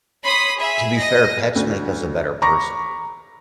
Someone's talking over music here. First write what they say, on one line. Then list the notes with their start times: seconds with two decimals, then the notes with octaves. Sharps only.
To be fair, pets make us a better person.
0.25 C#5 B5 C6 D#6 B6
0.56 G#4 E5 B5
0.97 D#5 A#6
1.56 D2
2.42 A#5 B5 C#6 D6 A#6